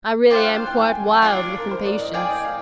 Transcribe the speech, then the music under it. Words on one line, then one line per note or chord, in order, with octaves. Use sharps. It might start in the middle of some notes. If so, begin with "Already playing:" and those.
I really am quite wild with impatience.
D4 F4 C5 F5 G5
G5
G#5
G5
G#5
G5
D4 F4 G#4 D5 F5
A#4
C5
D5
D#5
G#4 D5 F5 G5
D#5
F5